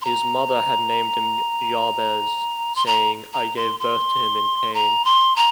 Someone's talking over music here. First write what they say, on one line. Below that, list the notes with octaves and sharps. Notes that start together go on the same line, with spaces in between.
His mother had named him Jabez, saying, I gave birth to him in pain.
C6
A#5
C6
A#5
A#5
C6
C6
A#5
C6
A#5